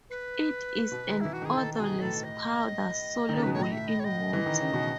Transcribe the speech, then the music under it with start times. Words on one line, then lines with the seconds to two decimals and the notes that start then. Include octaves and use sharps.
It is an odorless powder soluble in water.
0.10 B4
0.92 B2
1.08 D#3
1.21 E3 E4
1.33 F#4
1.42 D#3
1.45 G#4
1.57 D#3 A4
1.74 A4
1.80 B2 G#4
1.92 B2
2.02 A2 A4
2.24 D#5
3.29 D#3
3.35 C#3 A4
3.43 B2 B4
3.53 A2 C#5
3.62 D#5
3.72 E5
3.88 D#5
4.00 C#5
4.04 D#5
4.33 E3
4.46 D#3
4.60 C#3
4.73 B2